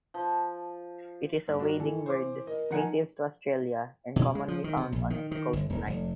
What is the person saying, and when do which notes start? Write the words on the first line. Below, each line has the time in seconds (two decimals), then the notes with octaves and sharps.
It is a wading bird native to Australia and commonly found on its coastline.
0.14 F3
1.48 G2
1.60 D4 F#4 A#4
1.80 E3 A4
2.06 C5 D6
2.47 A#4 D#5
2.71 F3 D#4 F#5 G#5 A#5 C#7
4.16 B2
4.35 G#3
4.48 F3
4.64 D#3
4.77 C3
4.92 A#1
5.10 D#3
5.31 D#3
5.53 G1
5.70 D#1
5.88 F1